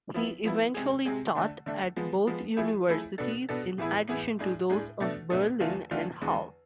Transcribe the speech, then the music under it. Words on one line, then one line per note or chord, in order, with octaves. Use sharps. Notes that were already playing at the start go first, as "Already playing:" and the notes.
He eventually taught at both universities in addition to those of Berlin and Halle.
F3 B3 E4
F3 B3 E4
C3 G#3 C4 G#4
C3 G#3 C4 G#4
D3 A3 D4
D3 A3 D4
F3 G#3 B3
F3 G#3 B3
F3 A3 E4 G#4
F3 A3 E4 G#4
B2 B3 D4 A4
B2 B3 D4 A4
A2 E3 B3 E4 G#4
A2 E3 B3 E4 G#4
A2 G#3 D4 G#4
A2 G#3 D4 G#4
B2 A3 D4 A4
B2 A3 D4 A4
E2 D3 A3 D4 F4
E2 D3 A3 D4 F4
E2 D3 G#3